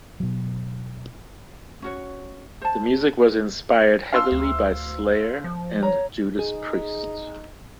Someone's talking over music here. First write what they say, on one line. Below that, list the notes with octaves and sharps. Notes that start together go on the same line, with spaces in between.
The music was inspired heavily by Slayer and Judas Priest.
B2 F#3
C#4 F#4 C#5
C5 A5
D4 F5 C6 E6
D2
F3
C#5 A#5
D#4 G#4